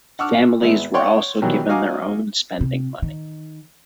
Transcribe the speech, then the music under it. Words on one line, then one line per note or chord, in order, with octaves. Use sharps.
Families were also given their own spending money.
F#5 A5 C#6 D6 E6 F6
G#1 B3 E5
C#5 D5 F#5 G5 C6
B2 D#3 E3 F#3 G3
F#4 D#5 F5 G#5 A#5 D6
C3
D#3